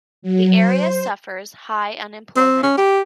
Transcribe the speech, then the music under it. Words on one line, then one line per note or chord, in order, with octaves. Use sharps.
The area suffers high unemployment.
F#3
C5
C4
C#4
G4